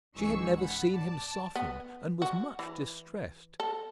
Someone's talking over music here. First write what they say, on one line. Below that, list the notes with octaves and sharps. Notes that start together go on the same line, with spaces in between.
She had never seen him softened, and was much distressed.
C#2 G#2 E3 G#4 C#6 E6
F#5 B5
D5 A5
B3
F#4
E3
A4